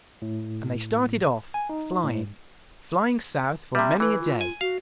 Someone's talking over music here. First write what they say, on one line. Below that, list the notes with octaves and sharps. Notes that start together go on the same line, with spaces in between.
And they started off, flying, flying south for many a day.
A2
G#5
D#4
A2
C3 G3 E5
E3 B4
F4
G#5
F#4 F5